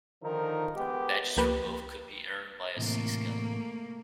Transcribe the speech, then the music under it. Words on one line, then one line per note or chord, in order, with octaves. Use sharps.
Badges for both could be earned by a Sea Scout.
D3 D#3 F3 D#4 A#4
G#3 B3 G4
C#2 F3 A#3 G4 B4
A2 C3 E3 A3 A#3